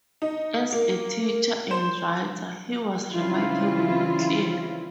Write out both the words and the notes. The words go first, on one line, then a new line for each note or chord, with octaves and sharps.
As a teacher and writer he was remarkably clear.
D#4
A#3
C5
C#3 E3 G3 C4 E4 F4